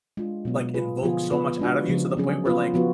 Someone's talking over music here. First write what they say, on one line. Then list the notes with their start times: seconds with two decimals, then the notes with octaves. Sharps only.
like invoke so much out of you to the point where like
0.17 G#3 D4 F4
0.45 B2 F#3 B3
0.74 B3 F4 G#4 B4
1.03 D3 F3 B3 F4 G#4
1.31 B3 F4 B4
1.59 G#3 D4 F#4
1.88 C#3 F3 B3
2.17 F#3 C#4 G#4
2.45 B3 F4 B4
2.74 F3 B3 F#4